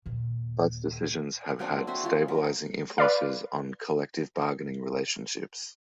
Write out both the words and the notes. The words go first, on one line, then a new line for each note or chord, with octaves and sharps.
Both decisions have had stabilizing influences on collective bargaining relationships.
D#2 A#2
F#3 A#3 C4 D4
C4 F#4 E5 C6
G#3 F4 C6
F#3 A#4
B4 D5 F5